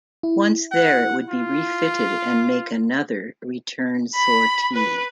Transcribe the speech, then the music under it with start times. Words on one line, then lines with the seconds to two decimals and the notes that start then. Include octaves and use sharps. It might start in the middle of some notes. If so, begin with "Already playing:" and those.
Once there, it would be refitted and make another return sortie.
0.23 E4
0.72 F#5
1.29 F4
4.15 B5
4.73 B4